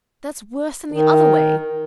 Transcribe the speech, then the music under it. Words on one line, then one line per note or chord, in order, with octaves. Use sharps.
That's worse than the other way.
D#3